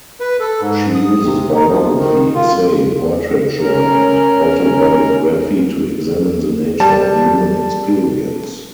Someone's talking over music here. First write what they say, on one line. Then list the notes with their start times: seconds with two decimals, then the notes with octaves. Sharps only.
She uses biography, essay, portraiture and autobiography to examine the nature of human experience.
0.20 B4
0.40 A4
0.61 G#2
0.95 D#6
1.25 C3
1.55 D#4
1.71 F3
1.98 D#3
2.35 F4
3.60 C#4 A#4 A#5
6.80 G3 A5